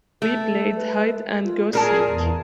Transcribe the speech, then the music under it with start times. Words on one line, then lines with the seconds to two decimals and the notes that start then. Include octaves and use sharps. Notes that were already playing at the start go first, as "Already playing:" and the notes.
We played hide and go seek.
0.22 A3 A4
0.77 B4
1.44 F4
1.73 A#2 G#4 A#4 D5 A5
2.09 E2